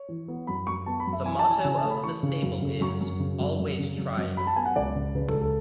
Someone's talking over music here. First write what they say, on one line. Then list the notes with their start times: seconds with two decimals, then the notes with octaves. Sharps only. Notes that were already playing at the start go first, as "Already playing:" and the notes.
The motto of the stable is "Always Trying".
Already playing: C#5
0.09 E3
0.28 B3
0.47 F#2 B5
0.67 F#2 C#6
0.86 B3 A5
1.00 B5
1.07 F#2
1.13 E5
1.26 E3 G#5
1.39 A5
1.45 E3
1.51 G#5
1.65 C#3 G#5
1.78 A5
1.83 A3
1.90 B5
2.04 E3 C#6
2.23 C#3
2.42 F#2
2.62 C#3
2.81 F#2 C#6
3.01 F#2
3.20 C#3
3.40 F#2
3.60 F#2
3.79 C#3
3.98 F#2
4.17 F#2
4.37 F#3 B5
4.47 A5
4.56 B3 G#5
4.65 F#5
4.76 C#2 D5
4.96 C#3
5.15 C#3 B4
5.28 A4
5.34 C#2
5.41 A4